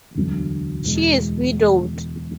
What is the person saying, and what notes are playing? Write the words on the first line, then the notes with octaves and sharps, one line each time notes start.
She is Widowed.
E1 D2 D3 F#3
E1 E2 B2 G#3